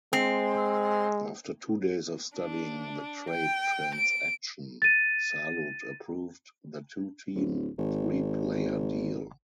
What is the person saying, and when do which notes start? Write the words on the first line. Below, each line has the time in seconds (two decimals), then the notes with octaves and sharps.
After two days of studying the trade transaction, Salud approved the two-team, three-player deal.
0.13 G#3 C4
2.36 D4
3.30 G5
3.96 D7
4.82 A6 D#7
7.35 D1
7.78 G#1